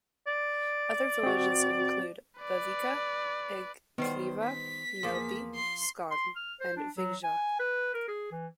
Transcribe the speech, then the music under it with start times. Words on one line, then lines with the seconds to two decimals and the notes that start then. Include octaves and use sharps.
Other villages include Buvika, Eggkleiva, Melby, Skaun, and Viggja.
0.27 D5
1.23 C4 F#4
2.41 B4 D5
3.98 D#3 G3 B3 C5
4.45 B6
5.03 E2 F3 A#3 G#4
5.55 C6 C7
6.11 C6
6.36 F6
6.60 C5
6.77 D4
6.97 F#3
7.24 G#5
7.59 B4
7.94 A#4
8.08 G#4
8.31 E3